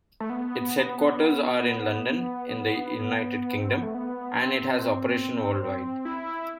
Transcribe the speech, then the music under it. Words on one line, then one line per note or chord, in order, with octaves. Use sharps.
Its headquarters are in London in the United Kingdom and it has operations worldwide.
A3
B3
C4
B3
A3
B3
C4
E4